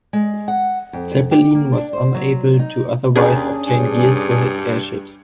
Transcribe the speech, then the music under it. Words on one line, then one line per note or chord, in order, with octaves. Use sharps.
Zeppelin was unable to otherwise obtain gears for his airships.
G#3
F#5
F2
G4
A#3
D4
C5
F#3
D#4
D#2 C#4 D4 G#4
G2